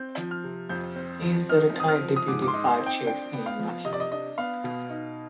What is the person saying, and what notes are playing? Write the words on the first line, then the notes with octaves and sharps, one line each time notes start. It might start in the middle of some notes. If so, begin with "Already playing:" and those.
He is the Retired Deputy Fire Chief in Nutley.
Already playing: C4 G6
F3
F6
C3
F2 G6
C4
F3
D#4 F6
C4
D#6
F6
F3
D#6
G#2 D6
D6
C6
D#4
C6
C4
G5
D4 G5
B3
F5
F3
C3 D#5
D5
D#5
D4 D#5
B3 F5
B2
D#4